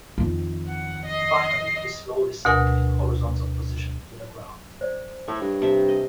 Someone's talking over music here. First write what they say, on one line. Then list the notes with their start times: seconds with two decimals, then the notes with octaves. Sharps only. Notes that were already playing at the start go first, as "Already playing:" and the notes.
Finally, he slowly sank in a horizontal position to the ground.
0.18 F2 D#3
0.67 F#5
1.05 D#5 C7
2.45 D2 B2 A#4 F#5 G#5
4.81 C5 D5
5.28 A2 C#5
5.41 G2
5.62 C3 E5 A5
5.88 D#5